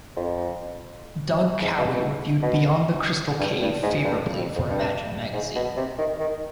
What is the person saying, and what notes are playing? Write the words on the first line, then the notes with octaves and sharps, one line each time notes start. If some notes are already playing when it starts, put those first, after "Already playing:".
Doug Cowie reviewed "Beyond the Crystal Cave" favorably for "Imagine" magazine.
F2
G#2
B2
B2
B2
G2
G2
G#2
G2
F2
F2
G2
G#2
B2
C3
D#3
D#3